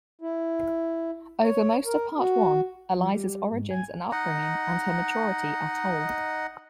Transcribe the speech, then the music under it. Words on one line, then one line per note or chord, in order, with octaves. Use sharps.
Over most of Part One, Eliza's origins and upbringing, and her maturity are told.
E4
C#5
A#4
F#4
F3
G3
G#2
G#5
D#4 D#5 F#5